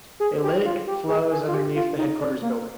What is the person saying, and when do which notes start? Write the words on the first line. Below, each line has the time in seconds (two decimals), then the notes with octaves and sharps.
A lake flows underneath the headquarters building.
0.20 G#4
0.43 G4
0.65 F4
0.87 G4
1.08 G#4
1.31 G#4
1.47 F4
1.54 G4
1.75 F4
1.98 D#4
2.20 D4
2.42 A#3